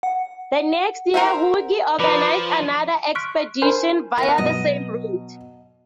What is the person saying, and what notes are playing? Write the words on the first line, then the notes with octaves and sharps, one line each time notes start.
The next year Hugi organized another expedition via the same route.
F#5
A#4 C5 E5
F3 B4 D5 A#5
C6 C#6 F6 F#6 B6 D7
D4 A#4 C5 G#5 B5 C6
B3 A#4 E5
B2 F#3 D#5